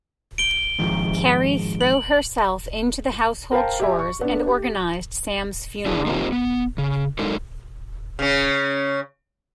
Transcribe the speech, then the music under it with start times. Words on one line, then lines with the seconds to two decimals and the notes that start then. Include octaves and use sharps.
Carrie throw herself into the household chores and organised Sam's funeral.
0.38 D7 G7
0.79 G#2 D#3 F3
1.81 F#7
3.52 A#4 C5 F5 G5 A5
3.80 G4 E5 G#5
3.99 C#6
4.21 B3 D4
4.47 G4
5.86 D4 E4 G#4
6.06 G#3 A#3 C4 D#4 F4 G4
6.32 B3
6.78 C#3
7.19 F#3 G#3 D4 D#4 A4 A#4
8.19 C#3 C#4